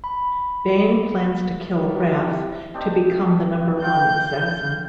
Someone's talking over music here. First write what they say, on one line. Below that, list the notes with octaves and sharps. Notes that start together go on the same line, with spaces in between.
Bain plans to kill Rath to become the number one assassin.
B5
E3 F#3 G3
C3 E4 G4
C4 D4 D#4
F4 G5 C#6 G6